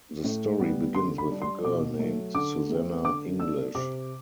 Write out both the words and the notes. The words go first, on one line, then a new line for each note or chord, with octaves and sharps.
The story begins with a girl named Susanna English.
A2
G3 B3
D3 C6
B5
G3 D4
C6
B2 D6
F#3 A3
D3 D6
A3 C4
D3 D6
A3 D4 E6
C3 D6